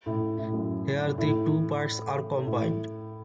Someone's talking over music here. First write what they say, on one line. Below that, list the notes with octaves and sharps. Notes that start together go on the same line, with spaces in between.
Here the two parts are combined.
A2
A2
F#2
A2
A2